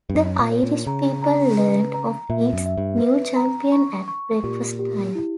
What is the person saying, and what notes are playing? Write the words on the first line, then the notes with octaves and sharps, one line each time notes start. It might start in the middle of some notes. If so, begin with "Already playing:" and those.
The Irish people learned of its new champion at breakfast time.
G2
F#2 C#5
A#2
C#5
A#2
C#3 A#5
A#5
B4
A#5
A#2 E5
F#2
E5
G2
B4
A#5
C#6
C#6
A#2 G4
G4
E4